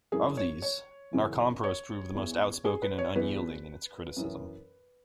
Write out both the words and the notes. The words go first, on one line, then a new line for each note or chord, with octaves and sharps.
Of these, Narkompros proved the most outspoken and unyielding in its criticism.
F#2 E3 G#4
C#5
C#5
F#2 C#3 E3
C#5
E2 E3
G#4
B4
C#5
E2 E3 B4
F#2 E3